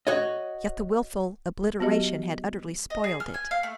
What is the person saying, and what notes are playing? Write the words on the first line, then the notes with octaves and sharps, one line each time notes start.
Yet the wilful obliteration had utterly spoiled it.
F#4 C#5 D#5
F#3 B3 F#4 G4 D#5
D#5
G#4
F6
G#5
F5
A3